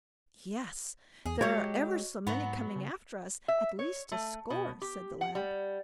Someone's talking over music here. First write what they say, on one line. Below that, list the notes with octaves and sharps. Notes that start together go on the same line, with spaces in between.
'Yes; there are ever so many coming after us, at least a score', said the lad.
E2 G#4
F#3 G#3 F#4 G4 C#5 D#5
G#2 F#3 B3 F#5
C#3 C#4
E5
C#5
A3
B2
G4
F#5
G3